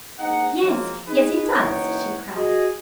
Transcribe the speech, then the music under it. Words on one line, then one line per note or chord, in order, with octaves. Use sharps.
"Yes, yes, he does!" she cried.
A#1 G#2 D#4 F#5
F3 F#3 G#3 A#3 C4
D#4 G#4 B4
F#1 E3 D#4 C#5 F#5 G5
F#4 G#4 D#5